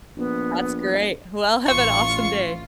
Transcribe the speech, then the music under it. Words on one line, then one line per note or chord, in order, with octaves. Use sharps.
That's great. Well, have an awesome day.
A#1 B3
A1 F4 C#6